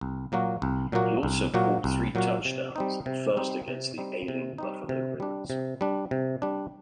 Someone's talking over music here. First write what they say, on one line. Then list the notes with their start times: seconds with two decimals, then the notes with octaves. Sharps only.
He also caught three touchdowns, the first against the ailing Buffalo Bills.
0.01 C2
0.32 A#2 F#3 A#3 F#4
0.62 C2
0.92 A#2 F#3 A#3 F#4
1.23 C2
1.54 A#2 F#3 A#3 F#4
1.84 C2
2.15 A#2 F#3 A#3 F#4
2.45 C3
2.76 G3 C4 D#4
3.06 C3
3.37 G3 C4 D#4
3.68 C3
3.98 G3 C4 D#4
4.28 C3
4.58 G3 C4 D#4
4.89 C3
5.20 G3 D4
5.50 C3
5.81 G3 D4
6.11 C3
6.42 G3 D4